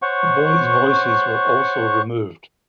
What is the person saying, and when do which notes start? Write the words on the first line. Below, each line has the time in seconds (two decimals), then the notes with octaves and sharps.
The boys' voices were also removed.
0.02 C5 C#5 F#5 C#6